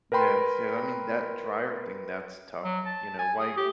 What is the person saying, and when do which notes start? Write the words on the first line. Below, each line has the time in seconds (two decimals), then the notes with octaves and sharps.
Yes yeah, I mean, that dryer thing, that's tough, you know, why
0.12 A#4 B4 G5 B5 C6
2.64 F#3
2.86 A5
3.19 G#5
3.39 G#4
3.57 G4